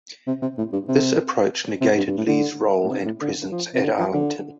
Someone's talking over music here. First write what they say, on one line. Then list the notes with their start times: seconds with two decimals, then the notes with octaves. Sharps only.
This approach negated Lee's role and presence at Arlington.
0.27 C3
0.42 C3
0.58 A2
0.73 G2
0.89 C3
1.81 C3
1.97 G2
2.07 G2
2.17 A2
2.28 D3
2.84 A2
2.90 C3
3.05 A2
3.21 D3
3.52 F3
3.74 C3
3.83 D3
3.99 F3
4.14 D3